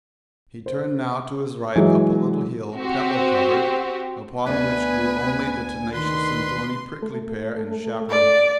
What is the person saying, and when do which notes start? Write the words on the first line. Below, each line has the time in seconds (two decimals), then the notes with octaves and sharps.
He turned now to his right up a little hill, pebble-covered, upon which grew only the tenacious and thorny prickly pear and chaparral.
0.66 C5
1.76 E3 F#3 G#3
2.77 C4 F#4 G4
4.46 D2 B3 B4 G#5
5.94 D#3 B4 C6
7.02 A3
8.10 D5